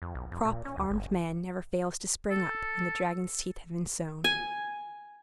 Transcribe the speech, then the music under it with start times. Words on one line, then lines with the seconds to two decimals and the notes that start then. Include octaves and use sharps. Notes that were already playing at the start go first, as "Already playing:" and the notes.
"A crop of armed men never fails to spring up, when the dragon's teeth have been sown."
0.02 F2
0.15 B1
0.32 F2
0.45 A#2
0.65 C#4
0.77 D2
0.90 G1
2.31 A4
4.24 G#5